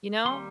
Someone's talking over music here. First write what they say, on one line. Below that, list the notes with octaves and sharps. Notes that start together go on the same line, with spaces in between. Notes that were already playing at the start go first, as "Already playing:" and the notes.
you know,
D#2 D#3 G3 C6